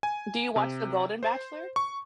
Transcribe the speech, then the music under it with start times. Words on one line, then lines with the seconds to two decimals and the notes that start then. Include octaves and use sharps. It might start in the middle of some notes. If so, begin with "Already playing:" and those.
Do you watch The Golden Bachelor?
0.03 G#5
0.56 C3
1.23 C5
1.76 C#6